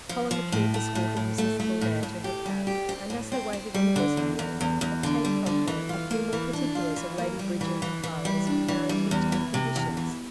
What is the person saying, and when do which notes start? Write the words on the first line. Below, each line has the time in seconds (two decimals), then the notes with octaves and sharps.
Colin McKeith escorted Mrs Gildea to her cab and as they waited in the vestibule, obtained from her a few more particulars of Lady Bridget O'Hara's parentage and conditions.
0.09 F3
0.31 F3
0.52 A2
0.74 A3
0.95 A2
1.17 A2
1.38 A3
1.60 A3
1.81 A2
2.03 A2
2.24 G4
2.46 G3
2.67 G4
2.89 C4
3.10 A2
3.32 C4
3.53 C4
3.74 G3
3.96 D3
4.17 E2
4.39 E2
4.61 E2
4.81 E2
5.03 D3
5.25 G3
5.46 D3
5.67 E3
5.89 F4
6.11 A#3
6.33 E3
6.53 D4
6.75 F4
6.96 E3
7.18 A#3
7.39 G3
7.61 E3
7.82 E3
8.03 E3
8.25 G3
8.47 D4
8.68 E3
8.89 G3
9.11 E2
9.32 E3
9.54 C3
9.76 E2
9.97 E3